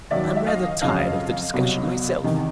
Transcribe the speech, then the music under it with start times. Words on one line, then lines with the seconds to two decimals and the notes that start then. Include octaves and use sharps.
"I'm rather tired of the discussion myself."
0.11 D#2 D#3 F#3 D5 E5
0.36 E5
0.46 D#5 F5
0.82 F2 C#3 F#3 D#5 F5
1.53 C2 B2 F#3
2.24 E2 C3 D#3